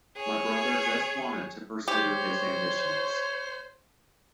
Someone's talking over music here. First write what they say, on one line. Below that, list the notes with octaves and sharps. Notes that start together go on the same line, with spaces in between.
My brother just wanted to pursue his ambitions.
G#4 C#5
G4 C5 C#5